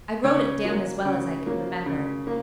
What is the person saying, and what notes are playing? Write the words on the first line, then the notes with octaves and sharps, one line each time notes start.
I wrote it down as well as I could remember.
C#3 C#4 C#5
F#3 A#3
C#3
F#3 A#3
C#3
A#3